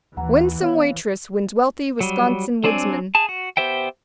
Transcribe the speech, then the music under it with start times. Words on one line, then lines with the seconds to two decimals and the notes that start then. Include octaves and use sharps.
"Winsome Waitress Wins Wealthy Wisconsin Woodsman."
0.17 D#2 E3 F#5 A#5
0.62 B3 C#5 F5
2.01 F#3 G3
2.64 F#3 C4 D4 D5 G#5
3.15 G#4 A5
3.29 F#4
3.57 B3 G4 C5 E5 G5